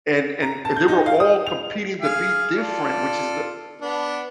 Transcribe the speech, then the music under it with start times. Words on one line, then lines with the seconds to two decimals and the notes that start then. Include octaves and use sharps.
And and they were all competing to be different, which is the
0.42 A#5
0.65 A5
0.76 G6
0.88 D#4
1.06 F5
1.20 D#6
1.47 F7
2.01 G#4 F5
2.57 F4 A4 D5
3.81 B3 D4